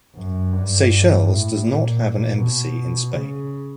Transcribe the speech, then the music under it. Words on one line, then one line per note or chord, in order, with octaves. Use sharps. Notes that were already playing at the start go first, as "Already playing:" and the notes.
Seychelles does not have an embassy in Spain.
F#2
G2
A2
A#2
A#2
B2
C#3